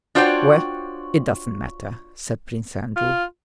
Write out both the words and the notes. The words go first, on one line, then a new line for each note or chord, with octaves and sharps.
"Well, it doesn't matter," said Prince Andrew.
D4 F4 F#4 C5 C#5 G5
F4